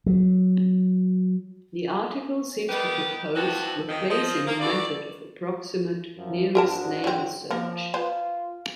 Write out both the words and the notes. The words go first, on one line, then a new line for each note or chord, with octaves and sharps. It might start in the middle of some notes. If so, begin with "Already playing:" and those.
The article seems to propose replacing the method of approximate nearest neighbor search.
F#3
G3 B3 D#4 G4 A#4 B4
E3 F3 C4 D4 F#4 B4
F2 D#3
F3 D#5
A#3
B2 F#4 A4 D5
F#2 F3 F#3
G#2 D4 F#4 G4 A#4 A5
F#3 C4
F3 A#3 A#4
F4 B4 C5